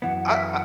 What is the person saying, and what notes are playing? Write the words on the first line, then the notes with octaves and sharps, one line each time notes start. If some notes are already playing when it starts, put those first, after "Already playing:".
I I
F#2 E3 B3 F#5
F#5
E5
F#5